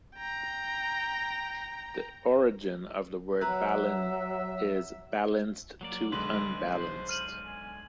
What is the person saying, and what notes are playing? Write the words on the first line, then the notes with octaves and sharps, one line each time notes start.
The origin of the word balun is "balanced to unbalanced".
G5 A#5
F#3 B4 E5 A#5
F#3 A#3 D5
B1 D3 G#3 B4 C6
C5
F6 D#7 F#7
G#5